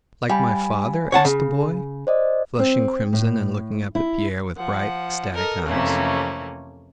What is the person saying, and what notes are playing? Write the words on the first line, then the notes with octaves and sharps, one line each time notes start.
"Like my father?" asked the boy, flushing crimson and looking up at Pierre with bright, ecstatic eyes.
G3 F5 G#5 B5
C#5 F#5 A5
C#3
C5 D5 D#5
C4
A2
E4
F3 F#5
A4 A#4 D#5
F2 C3 E3 A3 A#3 C#4